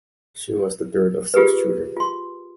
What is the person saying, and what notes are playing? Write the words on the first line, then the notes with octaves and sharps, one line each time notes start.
She was the third of six children.
F4 G4 G#4 A#4 B4
F4 C6